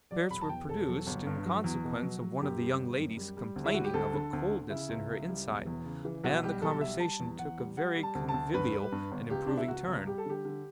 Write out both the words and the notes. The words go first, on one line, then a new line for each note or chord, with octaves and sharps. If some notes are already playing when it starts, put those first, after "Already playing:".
Spirits were produced, in consequence of one of the young ladies complaining of a coldness in her inside; and the conversation took a very convivial and improving turn.
F#3 D5
E1 B5
A5
E2 G5
E1 A4
F#3
G1
G2
F#3
E2
B2
F#3
F#3
F#2 G4
G3
G1
F#2
G3
G3
D2
E4
G3 F#4
G4
D2 A4
D3
D2
D3
C#3 E4
C#2
C#2
G3
E1
E2
C#3
E3
B1 F#4
G3 G4
B1 A4
G3 E5
G3 A5
E2
E2 F#5
G3
G3 F#5
G3
A5
D2
A5
D2
G2 B4
G3
G2
G1
C#2 G4
C#2 D4
E4
C#2 F#4
C#2
G3 G4
A4
D3 G4
D3